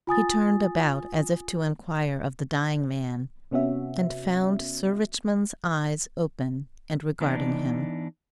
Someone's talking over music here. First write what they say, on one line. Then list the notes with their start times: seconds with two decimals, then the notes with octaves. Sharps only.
He turned about as if to enquire of the dying man and found Sir Richmond's eyes open and regarding him.
0.07 F4 G#5 D#6 A6
3.51 C3 B3 C#4 F#4 E5
7.20 E3 B3 D4 D#4